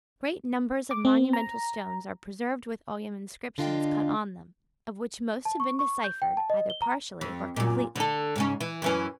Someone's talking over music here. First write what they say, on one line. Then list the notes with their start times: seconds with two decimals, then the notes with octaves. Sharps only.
Great numbers of monumental stones are preserved with Ogham inscriptions cut on them, of which most have been deciphered, either partially or completely.
0.91 D6
1.05 C4
1.33 A#5
3.58 D3 D4 F4 D#5 F5 G5
5.45 A5
5.60 C#6
5.79 C#6
6.04 G6
6.22 G5
6.37 A5
6.50 D#5
6.70 G7
6.82 A#5
7.21 F2
7.56 F#2 A#2
7.96 D3 A4
8.36 G#2 C#3 C#4
8.61 E3
8.82 F#2 E3 C#4